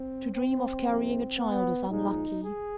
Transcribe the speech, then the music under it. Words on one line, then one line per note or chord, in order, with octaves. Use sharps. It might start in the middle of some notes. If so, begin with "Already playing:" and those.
To dream of carrying a child is unlucky.
Already playing: C4
C4
G#2 F3 A3
B3
A#2 F3 G#3 D#4
G#4